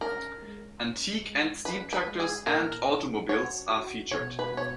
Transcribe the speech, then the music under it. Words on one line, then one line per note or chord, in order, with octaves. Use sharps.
Antique and steam tractors and automobiles are featured.
C#4 A#4
G#3
C#4
G#3
C#4 B4
B4
G#3
G#4
A#2 A#4
C#4
F#4 C#5
F#4
B2 C#5
B4
B2 C#5